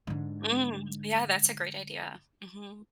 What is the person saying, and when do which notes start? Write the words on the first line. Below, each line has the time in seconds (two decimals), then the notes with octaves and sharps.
Mm, yeah, that's a great idea. Mhm.
0.07 G#2 D3